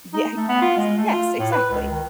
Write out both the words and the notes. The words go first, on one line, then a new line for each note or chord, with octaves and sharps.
Yeah, yes, yes, exactly,
D#4
A3
B3
F4
G#3
A3
F4
A2
B4
C#2
D#3